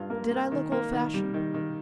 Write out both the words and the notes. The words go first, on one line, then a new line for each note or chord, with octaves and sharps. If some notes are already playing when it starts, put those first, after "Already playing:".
Did I look old fashioned?
Already playing: G2 F4
A#3
A#3
D#3
A#3
D#3
G3
D#3
D#3